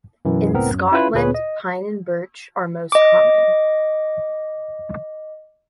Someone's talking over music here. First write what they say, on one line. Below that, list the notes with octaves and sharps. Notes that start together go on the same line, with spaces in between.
In Scotland, pine and birch are most common.
F#2 B2 E3
C#2 A2 B3 C4 A#4
F#2
C#4 E4 F4 B4
D2 A#2 G#4 B4 C#5
D#5
D#5 D6